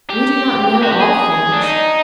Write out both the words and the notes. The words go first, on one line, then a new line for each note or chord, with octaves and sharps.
We do not know all things.
G4
F#4
G4
G#4
D4
D#4